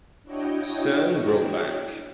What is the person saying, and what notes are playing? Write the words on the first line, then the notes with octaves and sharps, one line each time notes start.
Sam Brownback.
D4 E4 F#4 C#5 D#5 G5